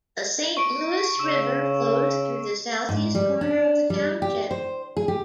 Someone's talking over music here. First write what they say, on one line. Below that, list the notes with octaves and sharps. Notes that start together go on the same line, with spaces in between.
The Saint Louis River flows through the southeast corner of the township.
C#6 D7
C#3 E6 E7
G#2
G3
D4
G3
G4
C5
G#4
G4